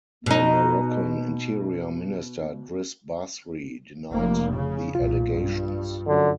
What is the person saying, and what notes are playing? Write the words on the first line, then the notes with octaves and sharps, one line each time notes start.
The Moroccan Interior Minister Driss Basri denied the allegations.
B2 D#4
F1 A#3
C#3
B1 A#2 F4
G2
F#2 D3